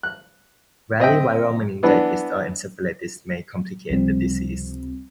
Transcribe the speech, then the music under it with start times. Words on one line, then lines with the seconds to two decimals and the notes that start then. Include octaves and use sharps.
Rarely viral meningitis or encephalitis may complicate the disease.
0.03 F#6
1.00 C4 D#5 E5 G5
1.83 E3 B3 D4
3.90 C#2 C3 F3 G3 C4